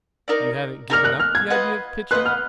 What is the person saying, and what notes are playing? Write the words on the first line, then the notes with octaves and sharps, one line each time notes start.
"You haven't given up the idea of pitching?"
D#4 A#4 D5
D#4 A#4 D5 F6
F#6
F6
G#6
F4 B4 D#5 F#5
F4 B4 D#5 F#5 F#6
F6